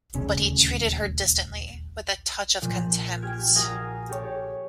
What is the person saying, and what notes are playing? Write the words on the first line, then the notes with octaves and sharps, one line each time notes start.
But he treated her distantly, with a touch of contempt.
D#1 D2 C#3 C#4
A#2 F3
G4 G#5 F6 G#6 D7
F#4 A#4 F5 G#5 A#5 D#6
G4 A4 C#5